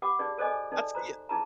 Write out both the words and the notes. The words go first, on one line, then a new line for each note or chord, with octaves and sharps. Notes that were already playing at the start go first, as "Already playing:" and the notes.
that's yeah.
G4 F#5 B5 D6
D#4 G#4 D5
G#4 A4 C5 D5 D#5 G#5
D#4 A4 D5
F#4 C5 A#5
D#4 E4 G#4 A5 A#5